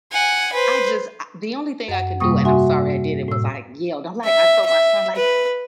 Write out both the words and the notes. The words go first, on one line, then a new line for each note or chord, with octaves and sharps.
I, just, a the only thing I could do and I'm sorry I did it was, like, yelled. I'm like I told my son, like,
F#5 G#5
B4 C5
F#2 F#5
G#2 C3 G3 A#3 C#6 D#6
F#4 E5 F#5 G#5 C6
A2 E6
E5
E5
B4